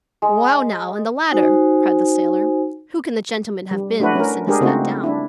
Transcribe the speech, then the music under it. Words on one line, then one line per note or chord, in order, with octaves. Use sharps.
"Well now, and the ladder," cried the sailor; "who can the gentleman have been who sent us that down?"
G#3
D#4 F#4 C5 G#5
G3
A3 D4 E4 F#4 B4
C#4 A#4
G#3 D4 G4 G#4 A#4
C#3 A3 C4 D#4 F4 F#4
D4 E4